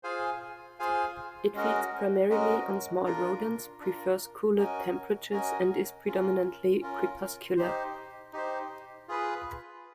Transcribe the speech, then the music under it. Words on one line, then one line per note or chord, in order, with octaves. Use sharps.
It feeds primarily on small rodents, prefers cooler temperatures, and is predominately crepuscular.
F4 G#4 C5 F5 G#5
F4 G#4 C5 F5 G#5
G#3 C#4 F#4 A#4 D#5
G#3 C#4 F#4 A#4 D#5
D4 F4 A#4
D4 F4 A#4
C#4 F#4 A#4 D#5 G#5
C#4 F#4 A#4 D#5 G#5
C#4 F4 A#4
C#4 F4 A#4
D#4 G4 C5
D#4 G4 C5
F4 G#4 B4